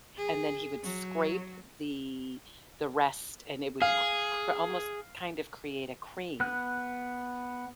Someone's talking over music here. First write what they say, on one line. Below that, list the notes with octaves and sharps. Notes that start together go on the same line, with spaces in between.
and then he would scrape the the rest, and it would cr cr almost kind of create a cream.
G#4
F#3
G#4 F5
B3 F#6